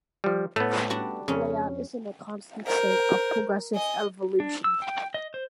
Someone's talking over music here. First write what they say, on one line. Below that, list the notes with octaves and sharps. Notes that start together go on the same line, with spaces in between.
The layout is in a constant state of progressive evolution.
F3 G3
A2 A3 B3
G3 D4 F#4
F2 C#3 C#4
A#4 C5
D#5 G#5
D4
E6
G5
D#5
C5